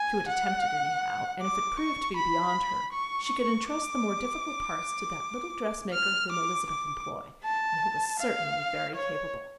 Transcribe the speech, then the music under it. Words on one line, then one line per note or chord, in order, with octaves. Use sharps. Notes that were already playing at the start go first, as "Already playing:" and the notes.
She would attempt it, anyhow, and if it proved to be beyond her, she could entrust the more difficult parts to that little dressmaker whom Elizabeth employed, and who was certainly very capable.
Already playing: G#5
F#5
D6
C#6
B5
C#6
D6
F6
D6
D6
A5
F5
C#5